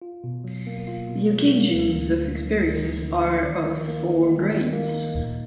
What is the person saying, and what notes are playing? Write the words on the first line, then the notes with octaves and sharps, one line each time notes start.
The occasions of experience are of four grades.
F4
B2
F#3
A#3
F4
B2
F#3
A#3
D2
D2
D3
F3
D2
D2
D3
F3
D#3
D#3
A#3
D#4
D#3
D#3
A#3
D#4
A#2